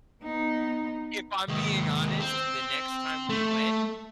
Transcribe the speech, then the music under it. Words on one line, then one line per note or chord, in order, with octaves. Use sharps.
if I'm being honest, the next time we went
B3 D#4
D#2 G#3
C4
A3